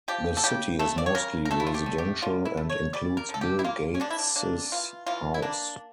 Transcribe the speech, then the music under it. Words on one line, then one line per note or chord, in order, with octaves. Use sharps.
The city is mostly residential and includes Bill Gates's house.
F3 G4
A4
C#3 G4
A3 A4
D5
C#5
C#3 A#4
A#4
A3 A4
E4
F4
G4
D3
G4
D3 F4
E4
A3
C#5
G3 D5
A#4
D3
A4
G4
E4
A#3 F4
C#4
D3 D4
E4
D4
A#3 D4
E3 F4
E3 F4
E4
A#3 D4